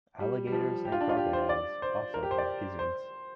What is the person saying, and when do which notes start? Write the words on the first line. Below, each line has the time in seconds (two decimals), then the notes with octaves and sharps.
Alligators and crocodiles also have gizzards.
0.20 G3
0.47 G3
0.52 F3
0.85 G4
0.92 F4
1.01 D4
1.09 F4
1.17 G4
1.33 C5
1.49 D5
1.82 C5
2.14 A#4
2.23 G4
2.31 C5
2.38 D5
2.79 C5